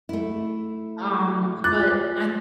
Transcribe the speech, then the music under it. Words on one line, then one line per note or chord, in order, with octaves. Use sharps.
um, but I
A3 E4
F4 D6 F#6 A6